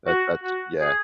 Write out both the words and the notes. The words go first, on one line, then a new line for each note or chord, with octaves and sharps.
That that's yeah.
F#4
F#4
G#4